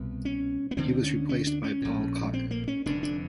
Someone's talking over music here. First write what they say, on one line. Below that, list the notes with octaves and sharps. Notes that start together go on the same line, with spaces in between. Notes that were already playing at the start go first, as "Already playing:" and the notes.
He was replaced by Paul Cotton.
Already playing: C2 B2
C#4
B3
D2 D3 C4
C#4
C#4
D4
C#4
A#1 A2
C4
A#3
C#4
F1 F2 D3 D4
D4